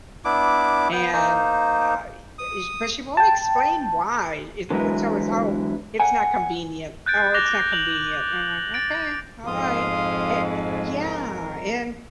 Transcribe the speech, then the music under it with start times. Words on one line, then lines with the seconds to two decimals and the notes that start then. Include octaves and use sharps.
and, I I sh but, she won't explain why, it's it's always, "Oh, it's not convenient, oh, it's not convenient," and I'm like, "Okay, alright." Eh yeah, and
0.25 B3 D4 E4 D6
0.92 B3 G5
1.13 A#3 D#4 C5
2.39 D#6
3.17 G5 A5
4.70 D3 E3 F#3 G#3 E4 B4
6.00 F#5 G#5
7.06 F#6 G6 A6 D7
7.34 D6 F#6 A#6 F7 G7
7.72 G6 F7 F#7
8.74 A6 D7
9.47 F2 G#2 F5 C6 D#6
11.01 A#4